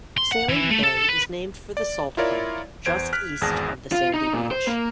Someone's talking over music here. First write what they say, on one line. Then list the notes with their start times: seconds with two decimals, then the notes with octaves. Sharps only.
Saline Bay is named for the salt pond just east of the sandy beach.
0.18 C6
0.32 F#5
0.49 E3
0.71 A3
0.84 A4
1.09 B4
1.77 D5
2.17 E4 F4 A#4 C#5 D5
2.86 E2 C5 G#6 D7
3.13 F6 F#6 B6
3.41 G#1 E2 G#4 A5 F#6 A#6
3.92 F4
4.14 D#4
4.33 A#2
4.51 C5
4.67 A#3